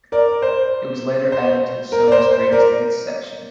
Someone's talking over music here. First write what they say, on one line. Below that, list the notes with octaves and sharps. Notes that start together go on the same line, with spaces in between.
It was later added to the Sony's Greatest Hits section.
A#4 D5
C5
C5
A#4
D5
C5
C5
A#4 D5